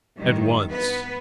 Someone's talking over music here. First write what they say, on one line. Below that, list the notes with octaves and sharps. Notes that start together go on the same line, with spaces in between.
At once.
G2 D#3
B3 B4